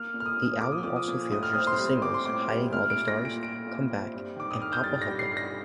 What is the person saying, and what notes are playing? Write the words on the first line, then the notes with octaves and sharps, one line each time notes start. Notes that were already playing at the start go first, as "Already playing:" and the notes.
The album also features the singles "Hiding All the Stars", "Come Back" and "Poppiholla".
Already playing: A#3 F6
A#2
F6
D#6
A#2
A#2 D6
D#6
F3 D6
D#6
A#2
A2 D#6
F6
C4 D#6
C6
G3
C4 D6
C6
A2 D6
G3
A3 F6
D7
A#2
A#6
A#2
D7
A#2 D7
A#2
C4
G2
D#3 D6
D#6
D#3 F6
G6
G2 A6
A#6
G3
C7
G2
A#6